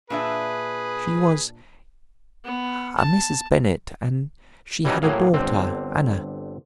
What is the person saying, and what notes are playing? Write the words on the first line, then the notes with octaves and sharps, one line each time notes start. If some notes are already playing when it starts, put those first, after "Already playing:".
She was a Mrs. Bennett, and she had a daughter, Anna.
A#2 D4 G#4 B4 E5
B3
A5
E3 G3 C#4 D#4 F#4
A2 F#3 A#3 G#4 F5
G1 D3 C4